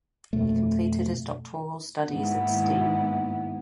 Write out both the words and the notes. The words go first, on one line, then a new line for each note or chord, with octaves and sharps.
He completed his doctoral studies at Ste.
F2 B2 A3
D#2 G#2 B3 E4